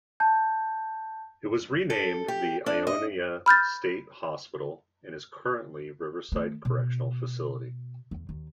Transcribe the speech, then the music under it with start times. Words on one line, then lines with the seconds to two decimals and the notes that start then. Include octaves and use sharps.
It was renamed the Ionia State Hospital and is currently Riverside Correctional Facility.
0.20 A5 G6
1.90 A4
2.28 G4
2.66 D4
2.87 D#5
3.46 B5 F6 G6 A6
6.32 D#3 A3
6.65 B2
8.11 E2
8.29 D#2